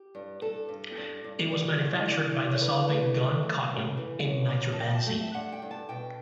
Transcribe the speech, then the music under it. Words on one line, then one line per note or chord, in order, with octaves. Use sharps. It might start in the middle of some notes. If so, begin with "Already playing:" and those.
It was manufactured by dissolving gun cotton in nitrobenzene.
Already playing: G4
G2
G2 A4
G2
G2
G2
G3
E2
D3
E2
C#5
D3 B4
A3
G2
A3
F#2
E3
F#2
F#2
A5
A3 G5
A5
A3 G5
E5
G2 F#5
G5
G2
A5
B2 G5